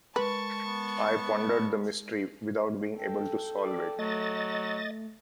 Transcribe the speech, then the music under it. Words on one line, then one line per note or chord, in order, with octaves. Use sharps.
I pondered the mystery, without being able to solve it.
G#3 A#4 B4 A5 B5 C#6
B3
A4 G5
D5
F#3 A3 D#5 A6